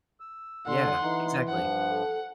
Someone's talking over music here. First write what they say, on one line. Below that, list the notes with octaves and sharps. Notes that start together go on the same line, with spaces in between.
Yeah, exactly.
E6
D3 F#5 C6
E3 D#4
G2 F3 F#5
A4